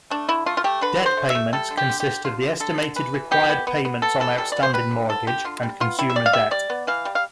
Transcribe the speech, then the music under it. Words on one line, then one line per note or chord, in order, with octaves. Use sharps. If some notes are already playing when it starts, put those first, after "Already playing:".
Debt payments consist of the estimated required payments on outstanding mortgage and consumer debt.
A3 D4
D3 E4
A3 F4
F4
A3 G4
D3 B4
D3
C5
A3
A3 E5
G3 A4
D3
G4
D3
G4
D3
D3 F4
D3
D3 A4
D3
E3 B4
E3
B3 G4
B3
B3
B3
B3 A4
E3 A4
G3 A4
B3 D5
C5
G3 B4
D3
B3 A4
D3 G4
D3 F4
G3
B3 F4
G3 E4
E5
G3 D5
F5
G3 E5
G3 D5
B3
E3 F5
G3
F5